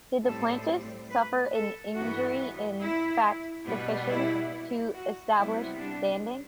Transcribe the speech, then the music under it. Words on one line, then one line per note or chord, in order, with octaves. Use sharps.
Did the plaintiffs suffer an injury in fact sufficient to establish standing?
A2 G3 C4 A4
B4
A4
G2 E3 B3 F#4
E4
B2 G3 B3
E4
F#4
C3 G3 B3 E4
D4